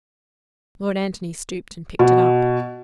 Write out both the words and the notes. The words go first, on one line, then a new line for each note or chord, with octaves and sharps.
Lord Antony stooped and picked it up.
B2